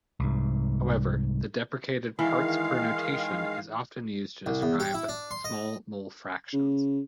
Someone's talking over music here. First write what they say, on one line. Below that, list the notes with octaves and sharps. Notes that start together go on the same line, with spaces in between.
However, the deprecated parts-per notation is often used to describe small mole fractions.
C2 G#2
D#3 E3 G#3 F5
C2
E2
G4
E4
D4
C6
D#5
C#3